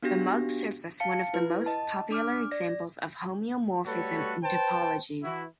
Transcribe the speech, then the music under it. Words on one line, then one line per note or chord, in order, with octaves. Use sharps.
The mug serves as one of the most popular examples of homeomorphism in topology.
B3 D4 F#4 G4 A#6
F5 A5 C#7
E4 B4
D#5 A5
D4 D6 F6
D5 A#6
G3 A3 F#4 A4 B4 C#5
B4 C5 G5 A5
E3 E4 F#4